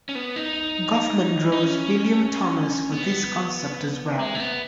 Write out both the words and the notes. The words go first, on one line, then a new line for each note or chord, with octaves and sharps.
Goffman draws from William Thomas for this concept as well.
C#4
B3
D#4
D#4
C#4
B3
G#3
A3
B3